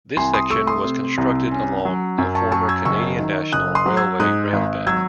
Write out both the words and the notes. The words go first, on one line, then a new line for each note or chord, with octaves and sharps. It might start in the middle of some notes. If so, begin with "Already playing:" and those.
This section was constructed along a former Canadian National Railway railbed.
C2 G#5 C6
C6 D#6
A3 C#6 E6
C6 D#6
C3
C2
C#4
F#3
F#2
A5 C#6
F#3 A5 C#6
E6 G#6
F#1 C#6 E6
D#3
F#1 D#6 F#6
C6 D#6
F#3
E6 G#6
G#2 D#6 F#6
G#1
F#3 E6 G#6